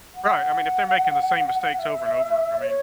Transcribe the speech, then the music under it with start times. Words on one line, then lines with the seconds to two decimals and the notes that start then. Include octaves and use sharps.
Right. I mean, if they're making the same mistakes over and over, I mean,
0.15 F#5
1.79 E5
2.60 C#5